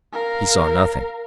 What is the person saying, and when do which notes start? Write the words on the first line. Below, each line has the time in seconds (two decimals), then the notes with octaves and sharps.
He saw nothing.
0.12 A#4 F5